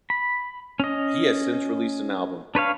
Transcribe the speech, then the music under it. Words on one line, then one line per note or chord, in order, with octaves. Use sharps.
He has since released an album.
B5
C#4 D#5
D4 B4 C#5 F5